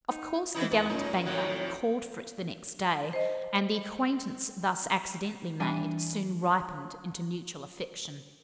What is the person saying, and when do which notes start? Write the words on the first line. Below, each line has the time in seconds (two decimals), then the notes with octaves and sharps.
Of course, the gallant banker called for it the next day, and the acquaintance thus accidentally made, soon ripened into mutual affection.
0.10 D#4
0.55 D#3 E3 D#4 E4
0.71 E2 B3
0.89 F#2 A#2 D#4
1.25 F2 A2 D#3 F#3
3.13 C5 D#5
5.60 E3 G3 D4 D#7